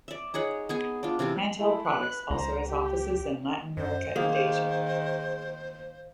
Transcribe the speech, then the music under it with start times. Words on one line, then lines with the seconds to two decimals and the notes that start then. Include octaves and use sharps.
Hand Held Products also has offices in Latin America and Asia.
0.08 D5 E5
0.34 D#4 G#4 C#5 F#5
0.69 B3 G#4 G#5
1.03 D4 F4
1.19 C3 E3 C4 F5
1.58 A3 E4
1.87 B4 F#6
2.30 C#2 C5 A#5
2.66 G4
3.77 F#2 C5
4.16 D#3 A#3 G#4